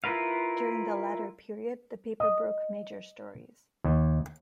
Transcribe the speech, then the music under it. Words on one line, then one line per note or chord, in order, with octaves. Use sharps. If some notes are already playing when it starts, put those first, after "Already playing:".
During the latter period, the paper broke major stories.
E4 F4 A#4 B4 F5
D#5
D#2